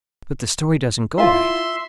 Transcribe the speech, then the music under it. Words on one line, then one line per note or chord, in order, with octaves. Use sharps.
But the story doesn't go right.
E4 F4 E5 C6